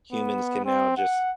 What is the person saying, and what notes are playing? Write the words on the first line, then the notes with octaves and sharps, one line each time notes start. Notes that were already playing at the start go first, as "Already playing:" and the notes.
humans can now, just
B3
C4
F#5